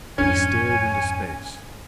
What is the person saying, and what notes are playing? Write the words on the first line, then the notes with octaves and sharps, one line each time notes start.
He stared into space.
F2 G#2 C#4 C#5 G#5